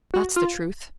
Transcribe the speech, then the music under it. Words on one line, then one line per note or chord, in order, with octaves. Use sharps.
That's the truth.
F#4
F4